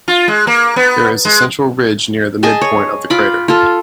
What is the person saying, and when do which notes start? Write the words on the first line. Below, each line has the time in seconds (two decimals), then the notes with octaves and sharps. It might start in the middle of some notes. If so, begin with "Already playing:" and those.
There is a central ridge near the midpoint of the crater.
0.08 F4
0.28 G#3
0.47 A#3
0.76 B3
1.25 G#3
2.43 G#4 D#5 G#5 A5
2.61 C#5
3.10 F4 B5 D6
3.48 F4 A4